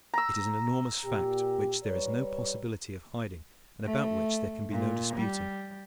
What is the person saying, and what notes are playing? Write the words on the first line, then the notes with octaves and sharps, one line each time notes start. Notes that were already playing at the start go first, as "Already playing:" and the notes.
It is an enormous fact which there is no possibility of hiding and about which there can be no disputing.
A#5 E6
A#2 G4
G3 B4 C#5
A3
A#2
G3